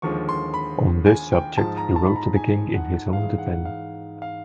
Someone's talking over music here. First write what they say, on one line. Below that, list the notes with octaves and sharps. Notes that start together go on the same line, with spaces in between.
On this subject he wrote to the king in his own defence.
D#2 D3 F3 G#3 C#6
C6
B5
G#5
G5
G#2 F3 G#3 A5
A#5
A5
B5
A#5
G#5
F#5
G#2 E3 G#3 F5
F#5
F5
F5